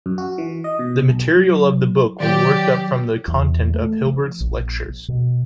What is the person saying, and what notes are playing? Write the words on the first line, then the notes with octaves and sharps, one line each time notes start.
The material of the book was worked up from the content of Hilbert's lectures.
F#2
F#4
E3
D#5
B2
B1
F#3
D#3 F#3 G4 D5
E2
A3
F3
A#1
B2